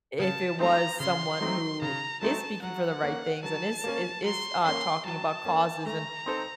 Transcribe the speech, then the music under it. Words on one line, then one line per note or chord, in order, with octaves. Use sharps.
if it was someone who is speaking for the right things, and is is is, uh, talking about causes and
C#3 A5
F#3 A3 C4 D#4 A#5
C#3 C6
F#3 A3 C4 D#4
C#3 A#5
F#3 A3 C4 D#4 A5
F#3 F#5
A#3 C#4
F#3 A5
A#3 C#4
F#3 C6
A#3 C#4 C6
F#3 A5
A#3 C#4
A3 A#5
C4 D#4 A4 C5